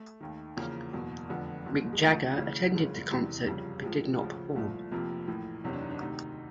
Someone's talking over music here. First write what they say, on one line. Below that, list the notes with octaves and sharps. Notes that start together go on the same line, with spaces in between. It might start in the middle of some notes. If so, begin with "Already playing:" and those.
Mick Jagger attended the concert, but did not perform.
Already playing: A3
D#2 D#3
E2 C#3 F3 A#3
F#1 E2 B2
F1 F2 D3 B3
F#1 E2 B2
G#3
D2 D3 F3 A3
D2 C#3 E3
F#1 F2 C#3 G#3
E1 E2 C3 E3
G1 F2 C#3 G3
A#1 A2 F3 G#3
D2 C#3 F3
C2 A#2 F3 A3
F1 F2 C3 F3 A#3
A#1 A2 E3
F#1 E2 C3 C#4
D4
D#4
D4
D2 C3 D#3 D#4